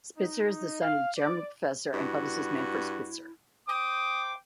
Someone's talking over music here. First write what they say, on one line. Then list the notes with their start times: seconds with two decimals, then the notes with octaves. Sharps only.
Spitzer is the son of the German professor and publicist Manfred Spitzer.
0.17 D#4
0.80 F5
1.17 D5
1.93 G2 E4 F#4
3.69 C5 G5 D6 D#6